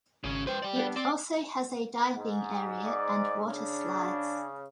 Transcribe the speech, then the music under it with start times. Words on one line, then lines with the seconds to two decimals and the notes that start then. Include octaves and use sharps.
It also has a diving area and water slides.
0.24 G#1 C#3 C#4
0.47 B4 C5 G5
0.62 D5 G5
0.76 G3 B3 D4
0.96 C4 D5 C6 D6
2.17 G#2
2.85 D5
3.46 C#3 D4